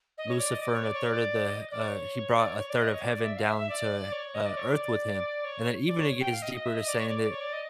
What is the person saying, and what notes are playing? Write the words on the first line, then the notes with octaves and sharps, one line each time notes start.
Lucifer and a third of the, uh, he brought a third of heaven down to, uh, earth with him. And then even it gets deeper to saying that
D#5
C#5
D5
D#5
D5
C#5
D5
C#5
D5
D#5
D5
C#5
D5
C#5
C#5
D5
D#5
C#5
D5
D5
E5
F5
E5
E5
D5
C#5
D#5
D5
C#5
D5
C#5
D5
C#5
G5
F5
D#5
D#5
E5
D#5
D5
C#5
D5
D5
C#5
D5
D#5